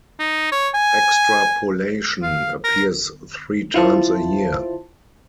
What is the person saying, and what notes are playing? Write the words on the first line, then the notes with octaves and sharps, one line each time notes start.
"Extrapolation" appears three times a year.
D#4
C#5
G#5
F5
A#4
E4 F4 C5 A5